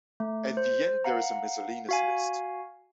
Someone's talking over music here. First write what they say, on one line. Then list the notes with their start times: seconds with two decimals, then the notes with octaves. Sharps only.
At the end there is a miscellaneous list.
0.20 A3
0.57 C5
1.04 F5 F#5 A#5
1.89 F#4 F5 G#5